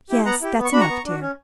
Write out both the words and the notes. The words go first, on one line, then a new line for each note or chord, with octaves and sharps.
"Yes, that's enough, dear."
E4 G4
B3 F#5 A#5
E4 G4
B3
C#6
D4 F#4 A#5 B5 C#6
B3
D4 F#4
C#4